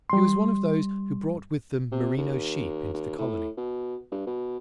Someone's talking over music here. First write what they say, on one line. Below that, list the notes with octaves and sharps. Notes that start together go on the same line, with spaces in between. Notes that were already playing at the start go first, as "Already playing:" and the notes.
He was one of those who brought with them merino sheep into the colony.
G3 C6
C3
D#2
D#2
A2
B2
G2
B2